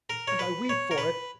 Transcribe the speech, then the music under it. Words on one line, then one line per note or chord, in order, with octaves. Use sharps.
And I weep for it!
A#4
C#5
B4
C#5
A#4
B4